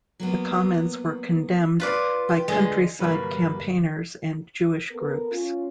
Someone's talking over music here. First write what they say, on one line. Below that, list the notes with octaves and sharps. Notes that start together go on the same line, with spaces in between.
The comments were condemned by countryside campaigners and Jewish groups.
F#3 A#3 B3
F4 B4 D5
G4
D3 G#3
G1 C3 F#3 G3 A#3 B4
B3 A4 A#4
C#4 F4